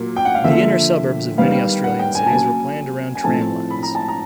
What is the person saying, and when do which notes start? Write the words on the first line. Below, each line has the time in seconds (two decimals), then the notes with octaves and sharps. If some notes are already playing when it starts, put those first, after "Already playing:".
The inner suburbs of many Australian cities were planned around tram lines.
Already playing: A#2 F#3 A#3
0.16 G5
0.25 F#5
0.35 F5
0.44 D3 F3 A#3 E5
1.38 D#3 G3 B3 F5
1.84 F#5
1.99 G5
2.15 G#5
2.26 A5
2.30 C#3 F#3 A#3 G#5
3.15 G#5
3.24 A2 F3 A3 C4 A5
3.71 B5
3.83 A#5
3.95 A5
4.08 A#5